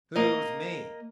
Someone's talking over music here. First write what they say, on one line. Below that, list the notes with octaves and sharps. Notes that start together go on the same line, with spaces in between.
"Who's me?"
A#3 D#5